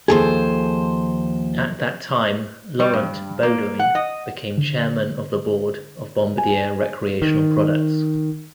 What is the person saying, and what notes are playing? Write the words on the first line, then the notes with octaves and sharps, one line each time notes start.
At that time Laurent Beaudoin became chairman of the board of Bombardier Recreational Products.
D#2 F3 G#4 A4 C5
G3
G2
A#3
F#5
D#5
D3
G#5
D#3